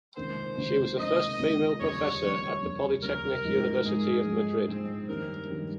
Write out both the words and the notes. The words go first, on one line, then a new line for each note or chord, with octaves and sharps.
She was the first female professor at the Polytechnic University of Madrid.
C#2 C3 D#3 A#3 C5
C#2 C3 D#3 A#3
C#2 C3 D#3 A#3 D#5
C#2 C3 D#3 A#3
F1 D#2 C#3 G3 C#5
F1 D#2 C#3 G3
F1 D#2 C#3 G3
F1 D#2 C#3 G3 A#4
G#2 F3 G#3 D#4
G#2 F3 G#3 D#4 G#4
G#2 F3 G#3 D#4
G#2 F3 G#3 C4 D#4
G2 D#3 A#3 C#4 G4 A#4
G2 D#3 A#3 C#4 G4